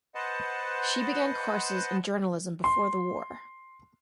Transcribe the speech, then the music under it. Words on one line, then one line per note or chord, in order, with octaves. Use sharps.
She began courses in journalism before the war.
B4 C5 D#5 F#5 A5
C6